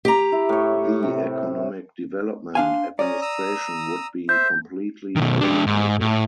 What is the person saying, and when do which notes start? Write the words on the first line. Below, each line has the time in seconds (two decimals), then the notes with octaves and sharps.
The Economic Development Administration would be completely eliminated.
0.05 G4 A#5
0.32 E4
0.49 A2 C#5
1.03 C3
2.55 D4 F5 G#5 C6
2.99 C#4 D5 A#5 D#6
3.22 A#5 D#6 E6
4.29 C5 E5 G6
5.16 B2 D#3
5.41 G#3 D4
5.66 G#2
6.01 A2